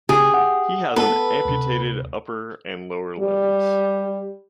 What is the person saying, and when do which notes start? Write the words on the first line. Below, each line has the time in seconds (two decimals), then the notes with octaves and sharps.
He has an amputated upper and lower limbs.
0.09 C#3 G4 G#4
0.34 F#5
0.96 B3 A4 B4
1.45 D2 C3
3.20 G3